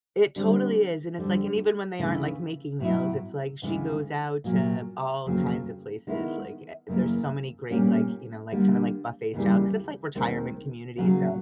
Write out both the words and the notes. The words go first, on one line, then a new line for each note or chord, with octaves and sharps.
It totally is, and it's like and even when they aren't, like, making meals, it's, like, she goes out to all kinds of places like, eh, there's so many great, like, you know, like, kinda, like, buffet style 'cause it's, like, retirement community, so,
D3 G3 C4
F2 D3 G3
D2 C#3 E3 A3
A2 F#3 B3 E4
D2 C#3 E3 G#3
A#2 F#3 A#3
F2 C#3 F#3 A#3
D#3 G#3 B3 E4
F#2 C#3 E3 G3 A#3
A#2 G3 A#3 C#4
D3 G3 A#3 D4
D#2 C#3 E3 G3
D#2 D#3 G#3 C4
D#2 C#3 F#3